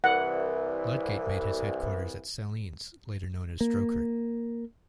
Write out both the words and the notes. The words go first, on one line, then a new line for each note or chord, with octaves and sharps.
Ludgate made his headquarters at Salines, later known as Drocourt.
C2 E3 F#5
A#3